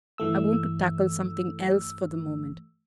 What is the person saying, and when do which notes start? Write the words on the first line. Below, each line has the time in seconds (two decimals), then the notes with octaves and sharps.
I want to tackle something else for the moment.
0.18 G2 E3 A3 E6